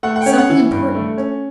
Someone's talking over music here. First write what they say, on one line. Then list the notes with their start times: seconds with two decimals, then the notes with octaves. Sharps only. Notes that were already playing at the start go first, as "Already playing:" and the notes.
"Something important."
0.03 A3 F#5
0.16 F#5
0.21 G5
0.26 C#4
0.38 F#5
0.50 E3
0.71 G2
0.95 A3
1.17 C#4